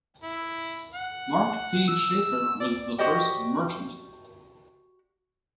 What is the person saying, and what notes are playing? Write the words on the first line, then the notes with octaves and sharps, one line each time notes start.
Mark P. Sheffer was the first merchant.
E4
F#5
E6
D5
F#4 G4 C5 D5 D#5 G5